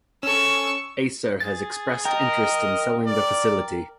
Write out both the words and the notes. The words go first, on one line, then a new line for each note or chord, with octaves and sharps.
Acer has expressed interest in selling the facility.
C#4 A4 C#6 E6
G#4 A6
A#4 D#5 G5
D5